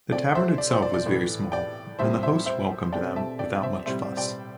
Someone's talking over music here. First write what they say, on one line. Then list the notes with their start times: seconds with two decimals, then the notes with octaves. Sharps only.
The tavern itself was very small and the host welcomed them without much fuss.
0.12 C3 A3 C4 D5 G5
0.35 C5 E5
0.58 D5
0.70 C5
0.82 D5
0.94 D5
1.06 A2 E3 A3
1.52 D5 G5
1.99 A2 G3 C4 C5 E5
2.23 C5 E5
2.46 C5 E5
2.93 C3 A3 C4 D5 G5
3.16 E5 A5
3.39 D5 G5
3.63 C5 E5
3.86 A2 G3 C4 C5 E5
4.02 D5
4.17 D5 G5